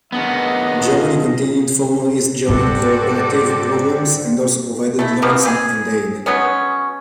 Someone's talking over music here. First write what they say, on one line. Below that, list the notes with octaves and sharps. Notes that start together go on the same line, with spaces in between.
Germany continued former East German cooperative programs and also provided loans and aid.
D#3 B3 D4 D#4 G#4 D#5
F4
G#2 G#3 F#4 G4 A4 C5 D5 D6
A3 E4
B2 E3 F3 A#3
C4 G4 G#4
F#3 G#3 B3 C#4